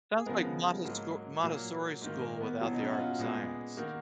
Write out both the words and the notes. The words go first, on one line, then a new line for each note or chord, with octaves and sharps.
Sounds like Montescor Montessori school without the art and science.
G#4
C#3 F3 G#3 B3 A#4
G#2 F#3 A#3
A#2 F#3 A#3
G#2 D#3 A#3
A#4
B3
B2 F#3 B3
D#4
C#4
F#4
F4
A#2 G#3 B3 G#4
D#3 A#3 F#4